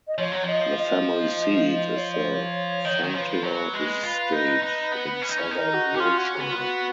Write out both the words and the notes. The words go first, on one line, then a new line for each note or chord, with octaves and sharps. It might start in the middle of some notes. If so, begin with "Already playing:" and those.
The family seat is the Fonthill estate in southern Wiltshire.
D#5
F3 C#5
F#3
F3 D#5
D#5
C#5
D#5
C#5
B4
C#5
D#3 C#5 D#5
D#3
F3 B4 C#5
F#3 B4 C#5
G#3
F4
D#4
D#4
B3
C#4
D#4
C#4
D#4 A#4
F#4
C#4 F4 G4
F#4
A#4
B3 F#4
F4
F#4